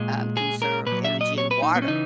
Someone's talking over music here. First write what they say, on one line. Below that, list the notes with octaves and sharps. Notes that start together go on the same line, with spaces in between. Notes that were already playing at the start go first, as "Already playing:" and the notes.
um, conserve energy and water,
Already playing: A#2 G#3
G#4
A#4
A#2 B4
F#3
E5
D#5
C#5
B4
D#4
B3
C#4
C#3 E3 D#4